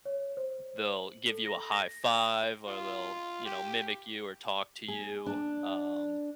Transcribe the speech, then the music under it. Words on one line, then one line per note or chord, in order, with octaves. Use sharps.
they'll give you a high five, or they'll, you know, mimic you or talk to you, um
C#5
C5
F#7
A4
A#6
A#6
G5
F4
G4
G#4
D4